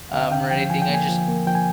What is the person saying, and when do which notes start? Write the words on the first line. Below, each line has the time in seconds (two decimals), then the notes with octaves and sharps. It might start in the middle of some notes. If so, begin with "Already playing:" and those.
um, or anything, I just
Already playing: D#2
0.13 D3 F5
0.31 D3 G5
0.51 F3 G5
0.70 F3 G#5
0.82 G5
0.89 A#3
0.94 G#5
1.08 F3
1.28 A#3
1.46 F3 G5
1.55 G#5